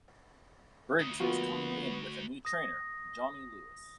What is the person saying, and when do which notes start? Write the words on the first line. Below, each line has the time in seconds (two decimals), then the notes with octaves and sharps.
Briggs was coming in with a new trainer, Johnny Lewis.
1.00 D2 D#6
1.20 F3 A#3 B3 F4 F#4
2.45 D#6 A#6